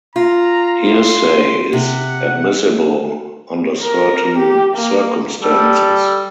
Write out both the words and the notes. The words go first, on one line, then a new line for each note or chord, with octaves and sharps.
Hearsay is admissible under certain circumstances.
F4 A#5
C6
C3 F#5
A#4
G4
A#3
G3 A4